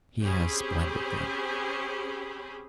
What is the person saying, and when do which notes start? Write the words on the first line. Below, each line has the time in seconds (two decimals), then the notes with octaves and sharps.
He has splendid things.
0.23 C4 C#4 G4 G#4 C5 B5